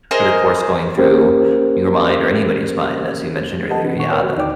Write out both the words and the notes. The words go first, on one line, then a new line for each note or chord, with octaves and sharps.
but, of course, going through your mind or anybody's mind, as you mentioned earlier, yeah, the
D#4 G#4 A#4 C5
A#3 C#4 G4 A#4 C5
G4 A4 B4 D#5 F#5 A5
E3 C4 D4 B4
A#2 D#3 B3 F#5 C#6
A#4 B4 C#5 D5 G5
F#4
D#2 D3 D#4 D5 G5 D6